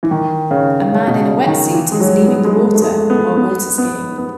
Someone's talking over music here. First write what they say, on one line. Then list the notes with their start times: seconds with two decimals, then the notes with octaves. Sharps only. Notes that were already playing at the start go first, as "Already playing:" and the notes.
A man in a wetsuit is leaving the water while waterskiing.
0.03 E3
0.11 D#3
0.51 C#3
0.92 C#3
1.07 B2
1.19 C#3
1.38 C#3
1.46 D#3
1.74 E3
1.92 G#3
2.00 F#3
2.27 B3
2.44 G#3
2.55 A3
2.75 A3
2.82 G#3
3.10 B3
3.37 B3
3.78 B3
4.18 B3